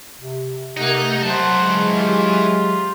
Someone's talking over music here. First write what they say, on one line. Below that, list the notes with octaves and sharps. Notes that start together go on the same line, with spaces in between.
Mhm, mhm.
C3
C3 D#4 F#5
E3 F#3 C5 F#5 A5
G#3
F4 G4